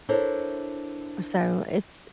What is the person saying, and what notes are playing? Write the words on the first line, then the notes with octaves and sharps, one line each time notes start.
So it's
D4 E4 A4 A#4 C5 C#5